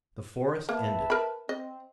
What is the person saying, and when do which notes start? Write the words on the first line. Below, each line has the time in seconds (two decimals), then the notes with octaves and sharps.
The forest ended.
0.69 A#3 B4 E5 A5
1.10 A#4 B5
1.49 C4 D#5